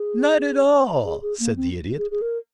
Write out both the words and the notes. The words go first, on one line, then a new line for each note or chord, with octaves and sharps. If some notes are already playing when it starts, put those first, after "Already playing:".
"Not at all," said the Idiot.
Already playing: G#4
G#4
G#4
A#3
C4
G#4
G#4
A#4